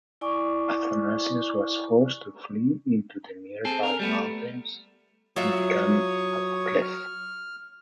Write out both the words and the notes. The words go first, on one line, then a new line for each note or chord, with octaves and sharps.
Athanasios was forced to flee into the nearby mountains and become a klepht.
E4 D5 G#5 C#6 D6
C4 G#4 A4
A#4
G3 A3 B3
F#3 F4 C#5 E5 C#6 D#6
F6